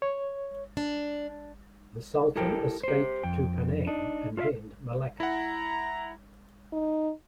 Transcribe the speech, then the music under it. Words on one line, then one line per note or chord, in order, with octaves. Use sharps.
The Sultan escaped to Penang and then Malacca.
C#5
D4
E4 G4 A4 A#4 G5
G4 C5
F2 G5
D4 D#4
F4 A4 C#5 E5 F5
E4 F#5 A#5
D#4